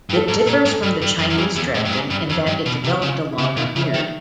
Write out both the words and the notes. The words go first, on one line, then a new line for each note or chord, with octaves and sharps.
It differs from the Chinese dragon in that it developed a longer beard.
G2
A4
G#2
A4
A#2
G#2
G2
G2
F#2
F#2
F2 G#4
E2
A2
G2
G#2
G2
F2
G2
B2
C3 G4
C#3
F4
E4
C#3
B2 F4
C#3
E4
D#3